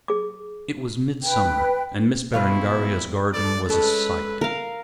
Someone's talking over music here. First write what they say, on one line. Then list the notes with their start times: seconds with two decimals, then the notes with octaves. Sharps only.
It was midsummer, and Miss Berengaria's garden was a sight.
0.08 G#4 D6
1.23 B4 G5
2.34 B2 G3 E4 F4 F5
3.34 F2 A4 D5
3.70 G#3 C#4 A4 B4
4.41 A#4 F5